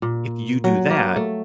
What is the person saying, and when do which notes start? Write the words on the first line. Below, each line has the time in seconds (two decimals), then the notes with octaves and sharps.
"If you do that,
0.02 A#2
0.64 F#3
0.90 A#3
1.16 A3